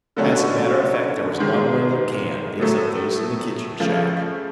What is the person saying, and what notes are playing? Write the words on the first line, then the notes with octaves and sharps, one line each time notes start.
As a matter of fact there was not another can, except those in the kitchen shack.
D3 F#3 A3 C#4 F#4
G#2 D#3 G#3
A2 F#3 A3
C#3 F3 A3